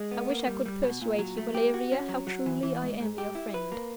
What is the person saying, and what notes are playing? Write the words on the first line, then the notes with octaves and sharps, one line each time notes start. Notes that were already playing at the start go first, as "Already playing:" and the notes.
I wish I could persuade you, Valeria, how truly I am your friend.
Already playing: G#3
B3
A#3
G3
G3
B2
A#2
F#3
A3
G4
F#4
C#4
F#3
F#3
E3
E3
G#2
G#2
G4
E4
B4
A#3